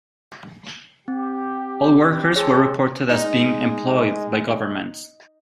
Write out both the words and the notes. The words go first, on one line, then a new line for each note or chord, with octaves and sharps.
All workers were reported as being employed by governments.
C4 G4
G#3 C4 G#4 A4 C#5
G#3 D#4